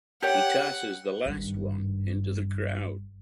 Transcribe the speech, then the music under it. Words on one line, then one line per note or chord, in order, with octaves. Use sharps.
He tosses the last one into the crowd.
G4 C#5 F#5 G5
G#1 G2